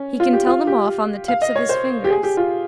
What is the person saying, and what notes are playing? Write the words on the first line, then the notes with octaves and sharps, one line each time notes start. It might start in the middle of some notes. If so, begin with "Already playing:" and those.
He can tell them off on the tips of his fingers.
Already playing: C#4
F4
G4
F4
G4
F5
D#5
C#5
C5
G4
G#4
G4
F4